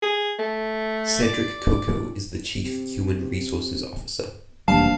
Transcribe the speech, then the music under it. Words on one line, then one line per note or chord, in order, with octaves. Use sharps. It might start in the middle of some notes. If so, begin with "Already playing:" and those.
Cedric Coco is the Chief Human Resources Officer.
G#4
A3
D5
C3
F1 A#1 E3 G3 F5 A5